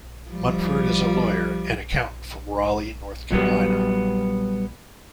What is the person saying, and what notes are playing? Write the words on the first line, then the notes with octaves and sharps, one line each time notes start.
Munford is a lawyer and accountant from Raleigh, North Carolina.
F3 G3
A#2 F#3 G3 B3